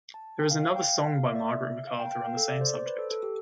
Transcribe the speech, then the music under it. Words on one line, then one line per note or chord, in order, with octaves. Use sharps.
There is another song by Margaret MacArthur on the same subject.
A5
G5
F5
F5
G5
F5
F5
E5
D5
E5
F5
G5
G5
F5
A4
D5
C5
D5
C5
B4
A4
A4
G4